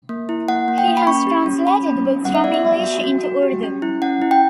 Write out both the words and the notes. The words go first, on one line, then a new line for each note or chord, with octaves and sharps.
He has translated books from English into Urdu.
A#3
E4
A#3 F#5
A#3
G5
A#3
B5
C#4 C#6
G4
C#4
C#4 B5
C#4
C#4
B3 F#5
E5
B3 D5
E5
B3
F#4
F#4
F#4
G4
C#4
E4
C#4 F#5
E4
G5